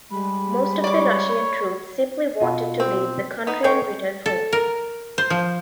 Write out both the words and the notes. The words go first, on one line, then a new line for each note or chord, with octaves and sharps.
Most of the Russian troops simply wanted to leave the country and return home.
G3 G#3 B5
C#5 D5 D6
B2 F4 D#5
C4
B3 D#4
G#3 A4 B4 C#5 G5
A4
A#4
C5
F3